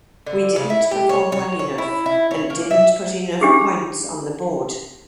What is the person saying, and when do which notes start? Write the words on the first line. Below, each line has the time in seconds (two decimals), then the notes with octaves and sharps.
We didn’t perform well enough and didn’t put enough points on the board.
0.27 D3
0.56 C#3
0.70 E4
0.91 G4
1.09 C#5
1.32 C#5
1.59 C#5
1.78 E4
2.06 E4
2.31 C#5
2.50 A#3
2.71 E5
3.41 D4 G4 G#4